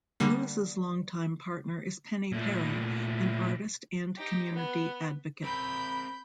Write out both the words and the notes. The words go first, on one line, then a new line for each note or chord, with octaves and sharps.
Louis' long-time partner is Penny Parry, an artist and community advocate.
D3 G3 A#3
A#2 A3
D#4 G4
B3
C4 A#4 B5 G6